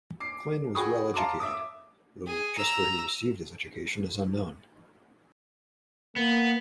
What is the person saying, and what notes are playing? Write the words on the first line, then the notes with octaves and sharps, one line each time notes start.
Clyn was well educated, though just where he received his education is unknown.
D6 C7
F#4 G#4 G5 B5 C#6 D#6
F5 A5 A#5 C6 D6
E5 D6 D#6
G#4
A#5 E6
A#3 B3